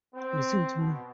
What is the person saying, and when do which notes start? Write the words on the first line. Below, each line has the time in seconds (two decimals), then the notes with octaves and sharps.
Listen to me!
0.15 C4
0.76 B2